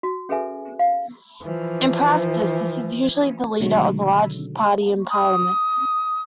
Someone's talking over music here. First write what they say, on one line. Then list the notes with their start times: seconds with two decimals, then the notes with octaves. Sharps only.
In practice, this is usually the leader of the largest party in Parliament.
0.03 F#4
0.29 C#4 G#4 A4 B4 E5 G#5
0.79 F5
1.42 E3 F3
3.60 B2 D3 D#3 F#3 G#3 A3
5.10 D#6